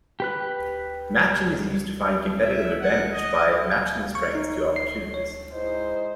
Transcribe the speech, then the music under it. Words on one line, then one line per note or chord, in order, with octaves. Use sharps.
Matching is used to find competitive advantage by matching the strengths to opportunities.
G4 B4 F#6
E5
F#5
D#5
F5
C#6
D#4
C7
C#5
G#2 E4 C5 D#5